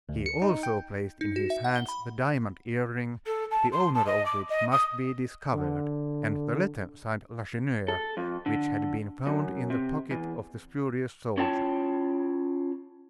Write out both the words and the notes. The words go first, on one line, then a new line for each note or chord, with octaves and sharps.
He also placed in his hands the diamond earring, the owner of which must be discovered; and the letter signed "Lacheneur," which had been found in the pocket of the spurious soldier.
D2
C#7
D#4
G5
D#4
F#4
E5
F#5
G7
B5
A4
A5
C6
A5
D#5
D6
D#5
D#6
D3
A4
F2
D3
F#2
C3
E2
C#4 E4 F4 C#5 G5 A5